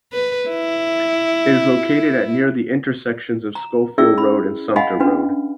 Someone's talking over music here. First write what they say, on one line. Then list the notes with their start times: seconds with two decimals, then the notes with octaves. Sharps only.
It is located at near the intersections of Scofield Road and Sumpter Road.
0.13 B4
0.49 E4
3.55 A#5
3.98 C#4 E4 G#4 D5 E5 E6
4.18 B5
4.76 D#5 F5 F#5 G#5 B5
5.00 C#4 D4 F#4 B4